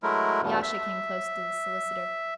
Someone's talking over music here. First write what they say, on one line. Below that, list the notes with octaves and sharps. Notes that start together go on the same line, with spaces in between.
Yasha came close to the solicitor.
F#3 G#3 A3 E4 A#4
E2 G2 B2
E5